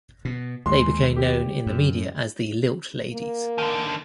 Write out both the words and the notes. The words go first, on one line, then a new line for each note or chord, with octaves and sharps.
They became known in the media as the "Lilt Ladies".
B2
D#2 G#3 C6
G4
F#2
A#3
D3 D#3